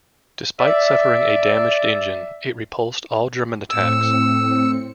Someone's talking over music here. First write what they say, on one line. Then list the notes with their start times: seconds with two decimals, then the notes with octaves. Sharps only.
Despite suffering a damaged engine, it repulsed all German attacks.
0.60 D5 E5
3.70 A2 C4 E6 C#7